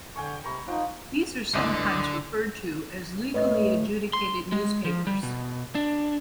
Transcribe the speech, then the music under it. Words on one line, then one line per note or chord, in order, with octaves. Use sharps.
These are sometimes referred to as "legally adjudicated newspapers".
D3 G5 G#5 C#6
C3 A#5 B5 C#6
F3 D#4 F#5 G5
G1 C#2 D3 E3
A2 B4 D#5
C6
G#3
F3
G3
B2
D4